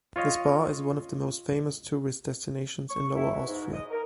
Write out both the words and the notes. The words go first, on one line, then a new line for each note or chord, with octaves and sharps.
The spa is one of the most famous tourist destinations in Lower Austria.
F4 C#5 D#5 F5
C#6
E4
B2
G#2
D#5
A#4